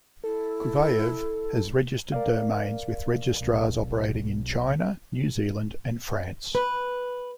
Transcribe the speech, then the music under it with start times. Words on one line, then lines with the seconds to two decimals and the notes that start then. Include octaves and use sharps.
Kuvayev has registered domains with registrars operating in China, New Zealand, and France.
0.24 E4 A4
2.12 A#4 D5 F5
3.41 B1
6.55 B4